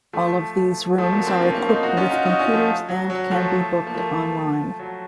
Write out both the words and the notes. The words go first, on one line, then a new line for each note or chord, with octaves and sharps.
All of these rooms are equipped with computers and can be booked online.
F3 A3
F3 A3
F#3 A#3
A3 C4
A#3 C#4
A#3 C#4
C4 D#4
D#4 F#4
C#4 F4
D#4 F#4
D#4 F#4
C#4 F4
F3 A3
F#3
F#3
F3 A3
A#3
F3 A3
F#3